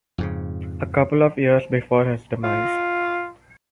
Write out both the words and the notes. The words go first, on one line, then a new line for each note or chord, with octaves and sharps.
A couple of years before his demise.
F2 G#2 C#3
F4